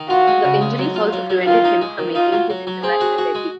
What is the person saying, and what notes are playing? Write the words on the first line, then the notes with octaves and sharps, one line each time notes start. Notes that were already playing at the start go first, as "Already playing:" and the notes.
The injuries also prevented him from making his international debut.
Already playing: D#3
F4 F#4
G#3
C#3
G#3
F#3
F4
F#3
F#3
D#3 F4
D#4
G#3
D#3
D#4 F4
F#3
F#3
F#3
C4 G#4
F#4
F#4
G#3